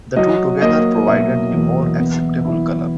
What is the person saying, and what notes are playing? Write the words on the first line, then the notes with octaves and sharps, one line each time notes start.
The two together provided a more acceptable color.
F#3 D#5
A#3 D#5
B2 E5
E2
B3
E4